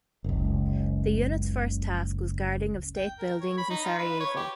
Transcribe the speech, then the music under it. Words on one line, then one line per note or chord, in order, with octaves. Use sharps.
The unit's first task was guarding of state buildings in Sarajevo.
F#1 C#2
G5
A#4
C#5
B5
D#4
F4
B4
C#5
G4